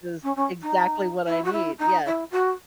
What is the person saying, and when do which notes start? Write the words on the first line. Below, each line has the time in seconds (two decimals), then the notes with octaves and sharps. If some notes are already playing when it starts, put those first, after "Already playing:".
is exactly what I need, yeah.
0.23 C#4
0.35 C#4
0.62 D#4
1.26 E4
1.44 F#4
1.52 E4
1.78 D#4
2.05 E4
2.31 F#4